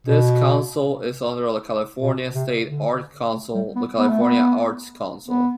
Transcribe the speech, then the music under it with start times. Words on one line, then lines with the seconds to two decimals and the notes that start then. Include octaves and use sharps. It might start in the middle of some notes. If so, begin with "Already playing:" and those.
This council is under the California state arts council the California Arts Council.
0.07 B2
2.02 B2
2.35 C3
2.67 D3
3.33 A3
3.55 G3
3.76 B3
3.98 B3
4.09 A3
4.22 B3
5.28 B3